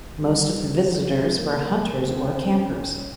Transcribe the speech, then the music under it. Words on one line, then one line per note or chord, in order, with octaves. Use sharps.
Most of the visitors were hunters or campers.
G3
G#3
G#3
A#3
C4
C#4